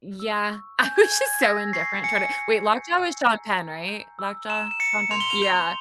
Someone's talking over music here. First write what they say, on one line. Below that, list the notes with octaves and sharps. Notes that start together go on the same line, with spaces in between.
yeah. I was just so indifferent toward it wait, Lockjaw was Sean Penn, right? Lockjaw? Sean Penn? Yeah,
E6
C#6
G#5 G6
G#6
G#5 G6
G#6
E6 A#6
C#6 C7
G#5 C#7
G#5
G6
E6
A#5
A#5
G6
E6
A#5 E7
E7
A#5 C#7
C6 F7
G7
F7
G6 F7